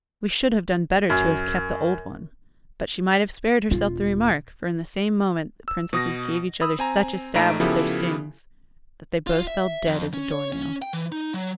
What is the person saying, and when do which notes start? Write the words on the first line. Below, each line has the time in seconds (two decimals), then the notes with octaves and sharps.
"We should have done better to have kept the old one." But she might have spared herself the remark, for in the same moment the Princesses gave each other such a stab with their stings that they both fell dead as a door-nail.
1.10 F#2
3.71 E1 F4
5.68 E6
5.93 B2 D#6 A#6
6.61 B5 D#6 E6
6.79 C4 G#5 A#5
7.35 A#1 A3 D#4 A#5 B5 D7
7.60 C#3 F3 B3 E4 G4 A4
9.27 F4
9.47 E5
9.87 F2
10.14 C#4
10.31 C#5
10.52 C#4
10.82 G5
10.93 E3
11.12 D#4
11.34 F#3